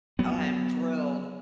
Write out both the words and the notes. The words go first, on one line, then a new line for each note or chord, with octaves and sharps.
I am thrilled.
F#3 B3